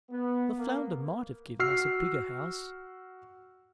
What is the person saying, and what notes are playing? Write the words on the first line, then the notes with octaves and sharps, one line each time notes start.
The flounder might have given us a bigger house.
B3
A#3
F#4 E6 F6 C7